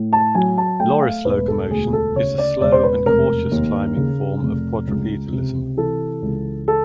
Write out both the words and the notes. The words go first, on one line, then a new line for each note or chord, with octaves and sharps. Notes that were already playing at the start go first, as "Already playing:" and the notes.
Loris locomotion is a slow and cautious climbing form of quadrupedalism.
Already playing: A2
A5
F#3 G#5
A5
A3 G5
F5
E1 B4
A4
D2 G#4
A4
C#3 C#5
D5
E1 D5
C5
B4
F1 A#4
D#2
C#3
F1
C#2
C3
E3 A4
C#2
A4